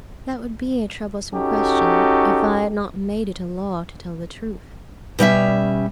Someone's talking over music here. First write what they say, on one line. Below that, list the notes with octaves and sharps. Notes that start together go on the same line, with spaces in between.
That would be a troublesome question if I had not made it a law to tell the truth.
C#4 D#4 F#4 G4 A4
B2 G3 C#4 E5